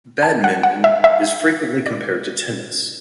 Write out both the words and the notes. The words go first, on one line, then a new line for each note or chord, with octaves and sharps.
Badminton is frequently compared to tennis.
A5
F#5
F#5
E5
E5
D5